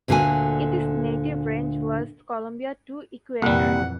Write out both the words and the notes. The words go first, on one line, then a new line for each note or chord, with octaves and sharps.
It is native range was Colombia to Ecuador.
D2 A#2 D3 A#3 F#4 G#5
C2 F2 A#2 E3 G3 A#3 F#5